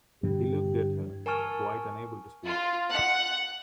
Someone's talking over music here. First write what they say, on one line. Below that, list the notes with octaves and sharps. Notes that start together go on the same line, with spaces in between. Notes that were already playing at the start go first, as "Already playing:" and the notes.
He looked at her, quite unable to speak.
G2 D3 E3 G4
A#4 G#5 A5 C#6 F6
F4
F#5